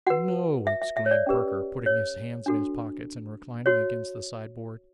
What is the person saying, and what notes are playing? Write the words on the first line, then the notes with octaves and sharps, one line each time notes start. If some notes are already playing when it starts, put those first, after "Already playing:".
'No!' exclaimed Perker, putting his hands in his pockets, and reclining against the sideboard.
F#4 B4 F#5
E5
E5
E5
C#5
D5
C#4 G4 B4
C#5
D4 F#4 A4
F#4 C#5